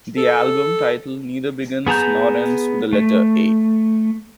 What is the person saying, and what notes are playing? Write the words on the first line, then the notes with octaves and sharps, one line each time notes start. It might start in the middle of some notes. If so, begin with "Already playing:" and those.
The album title neither begins nor ends with the letter 'a'.
A4
B3 G#4 A5 A#5 G6
A3